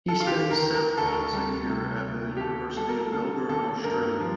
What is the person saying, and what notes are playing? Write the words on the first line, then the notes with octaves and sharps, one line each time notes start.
He spends several months a year at the University of Melbourne, Australia.
A4
F4
D3 G4
A#4
D#2
A#4
D2 A4
A#4
A4
G3
C3
D2
G4
D#2 A4
G3 A4
A#4
A4
D3 A4
D#2 A4
G2 A#4
F3